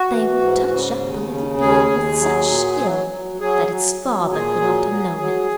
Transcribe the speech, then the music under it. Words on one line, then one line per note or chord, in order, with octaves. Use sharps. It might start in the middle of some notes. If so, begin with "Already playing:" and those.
They would touch up a little being with such skill that its father could not have known it.
Already playing: F#4
E3
G#2
C#3
D#2
C#3
D#2 G#4
D#2
F#3
A#2
F#3
F#3
F#3 G#4
F#3
F#3
A#2 G#4
F#3
F#3
F#3